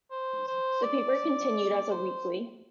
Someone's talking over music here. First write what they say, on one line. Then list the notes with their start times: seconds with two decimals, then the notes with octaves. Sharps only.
The paper continued as a weekly.
0.11 C5
0.48 C5
0.83 D5
1.91 C5